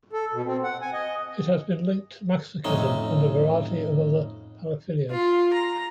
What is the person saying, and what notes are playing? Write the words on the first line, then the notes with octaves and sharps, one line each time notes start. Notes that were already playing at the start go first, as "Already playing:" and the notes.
It has been linked to masochism and a variety of other paraphilias.
A4
B2
C4
F#5
G#5
D#5
F2 A2 C#4 D#4
F4
A#5